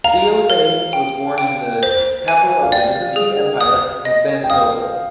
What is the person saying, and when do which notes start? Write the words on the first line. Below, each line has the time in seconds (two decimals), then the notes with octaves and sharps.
Theophanes was born in the capital of the Byzantine Empire, Constantinople.
0.04 F5 A#5
0.50 A#4
0.93 G5
1.38 G5
1.83 C5
2.28 G#5
2.63 F5
2.72 D5 G5
3.16 G#4
3.61 D#6
4.05 D#5
4.44 G5
4.50 F5 D#6